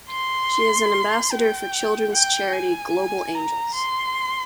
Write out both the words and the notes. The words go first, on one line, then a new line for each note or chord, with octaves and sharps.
She is an ambassador for children's charity Global Angels.
C6
G5
G5
G#5
A#5
C6